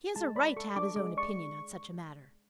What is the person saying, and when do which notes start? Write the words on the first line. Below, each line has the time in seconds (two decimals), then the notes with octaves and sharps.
"He has a right to have his own opinion on such a matter."
0.16 G#3 A5
0.36 D5 B5
0.56 A4 C#6
0.76 D4 D6
0.96 G#3 D6
1.17 D5 C#6